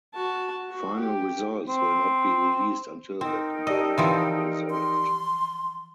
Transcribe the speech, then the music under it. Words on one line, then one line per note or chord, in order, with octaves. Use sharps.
Final results will not be released until the complaints are resolved.
F#4 A5
F#4
G4
C4
C4 D#4 A#4 G5
G4 D5 D#5 A5 E6
E3 F3 C4
C6